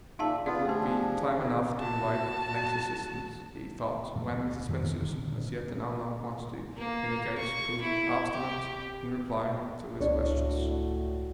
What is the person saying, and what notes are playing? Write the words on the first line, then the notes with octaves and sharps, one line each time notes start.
It would be time enough to invite Link's assistance, he thought, when Mrs. Bensusan--as yet an unknown quantity in the case--proved obstinate in replying to his questions.
A#2 C#3 D#4 E5 F5 A5
B3 F4 D5
F3 A3 D4 G4 G#4
E2 B2 D#3
F#4 A5
A#2 F3 G#3 A#3
D2
F2 D#3 E3 A3
D#1 D3 D#3 G#3
A#3
C#6
E4
G4
C#2 A2 D4 F#4 C#5